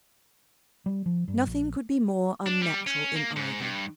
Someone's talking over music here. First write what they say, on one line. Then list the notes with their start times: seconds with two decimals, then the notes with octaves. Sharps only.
Nothing could be more unnatural in either.
0.86 G3
1.06 F3
1.28 G2
1.47 A#1
2.46 D4
2.62 G3
2.87 C#4
3.15 A#3
3.36 G#2
3.61 G2